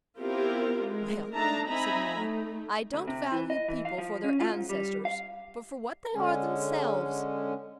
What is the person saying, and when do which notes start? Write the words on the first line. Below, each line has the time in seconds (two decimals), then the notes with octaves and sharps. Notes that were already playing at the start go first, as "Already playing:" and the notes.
"Well," said Nora, "I don't value people for their ancestors, but for what they are themselves."
0.18 B3 C4 E4 F4 G4 A#4
0.84 G#3 A#4
1.33 A3 D4 D#4 E5 A5 A#5
1.67 C4 D#4 E5 G#5 A#5 B5
2.15 A3 D#4
2.94 D2
3.08 C3
3.32 E3
3.50 D#5
3.68 E3
3.85 F5
3.98 F3
4.24 C#4
4.40 F4
4.53 G#2
4.69 G3
5.05 F5
6.15 D3 G#3 C#4